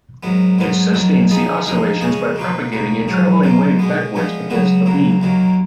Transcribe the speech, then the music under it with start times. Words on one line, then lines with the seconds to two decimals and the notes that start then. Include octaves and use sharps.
It sustains the oscillations by propagating a traveling wave backwards against the beam.
0.23 G#2 D#3 F#3 B3
0.58 G#2 F#3 B3 F4
0.94 F2 D#3 F#3
1.29 F3 B3 D#4 G#4
1.66 F2 F3 A#3 D#4 G#4
2.01 F2 C#3 G#3 C#4 G#4
2.36 B2 A#3 F4 B4
2.72 C#2 B2 A#3
3.08 G#2 F#3 C#4
3.43 F#2 D#3 A#3 F4
3.79 B2 G#3 B3
4.14 A#2 F3 G#3 B3
4.50 C#2 C#3 F#3 B3 F#4
4.86 C#2 C#3 F#3 A#3
5.21 D#2 D#3 F#3 A#3